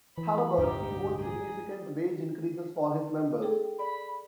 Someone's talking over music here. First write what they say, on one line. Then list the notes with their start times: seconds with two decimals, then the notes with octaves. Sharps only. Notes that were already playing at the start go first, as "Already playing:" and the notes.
However, he won significant wage increases for his members.
0.18 E3 B5
0.58 D1 C2 G2 D4 D#4 G4
1.21 G#4
3.42 G#4 A4 G5
3.79 D5 B5